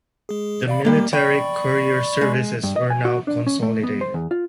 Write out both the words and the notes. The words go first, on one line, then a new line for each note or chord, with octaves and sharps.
The military courier services were now consolidated.
G#3 G#4
D5 F5 B5
G3 G#3 A#3
D5 G5 B5 C#6
G#3
G2
D#5
G#5
F#4
D4
C#4
A3
B3
C5
E2
F4